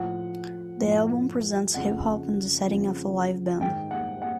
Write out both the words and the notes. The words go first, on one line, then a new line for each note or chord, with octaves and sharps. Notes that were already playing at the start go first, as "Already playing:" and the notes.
The album presents hip hop in the setting of a live band.
Already playing: A2 F3 F#5
A2 F3
F2 C#3 F3 F#5
F2 C#3 F3
G#2 D#3 G5
F#5
F#5